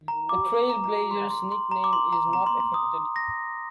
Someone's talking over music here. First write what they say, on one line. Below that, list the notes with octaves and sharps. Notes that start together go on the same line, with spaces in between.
The Trailblazers nickname is not affected.
A#5
D6
A#5
A#5
A#5
C6
C6
C6
A#5
D6
C6
A#5
A#5
C6
C6
D#6
A#6